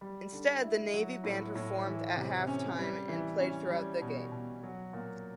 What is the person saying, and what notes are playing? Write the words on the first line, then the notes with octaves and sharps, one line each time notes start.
Instead, the Navy band performed at halftime and played throughout the game.
G3
D3
E4
F#3
A2
A2
E3
C3
C#4
G3
E3
C#4
G3
B2
B2
F#3
A#2